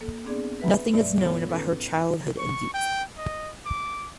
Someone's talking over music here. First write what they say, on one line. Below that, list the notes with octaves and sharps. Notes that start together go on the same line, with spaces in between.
Nothing is known about her childhood and youth.
A#3 A4
B3 C4 D4 G#4 D5
B4 E5 F#5 G#5 A#5 B5
G2 B2 A3 D5 E5
B3 F4 A4 C#5 F#5 B5
C#4 D#4 A4 B4
C#6
G5
D#5
D6